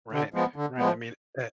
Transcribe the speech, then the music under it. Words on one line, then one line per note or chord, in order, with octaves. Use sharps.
Right, right. I mean, at
D3
F3 G#3 B3
D3
F3 G#3 B3